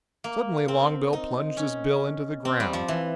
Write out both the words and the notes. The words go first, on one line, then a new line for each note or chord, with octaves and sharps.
Suddenly Longbill plunged his bill into the ground.
A#3
C4
D#4
C#4
C4
G3
F3
E3